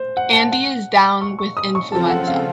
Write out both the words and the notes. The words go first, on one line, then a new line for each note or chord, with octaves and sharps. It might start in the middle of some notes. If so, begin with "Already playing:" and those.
Andy is down with influenza.
Already playing: C5
F#5
A5
F#5
C#6
C#6
D#6
C#6
C#3 F3 C4 F4 A4 A5
F#5
F5